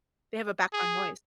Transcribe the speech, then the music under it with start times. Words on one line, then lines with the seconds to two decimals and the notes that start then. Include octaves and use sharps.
They have a background noise.
0.73 G#4